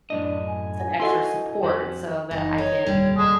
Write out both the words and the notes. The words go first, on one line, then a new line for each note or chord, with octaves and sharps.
some extra support so that I can,"
F#2 A2 D4 D#5
G#5
E4 F#4 A4 D#5 C6
F2 F#4 G4 C5
F#1 E3 D#4
D#4 C#5
F1 D#2 A#2 D3 G3
G#3 A5